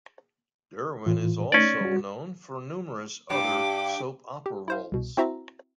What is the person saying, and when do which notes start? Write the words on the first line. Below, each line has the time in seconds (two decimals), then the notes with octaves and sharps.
Derwin is also known for numerous other soap opera roles.
1.06 A2 E3 F4
1.52 A3 C#4 D#4 D5
1.81 G3 F#4
3.30 G2 G4 D6
4.46 G4
4.68 E4 C5 F5
4.92 C2 B2
5.17 C4 E4 F#4 C5 E5 A#5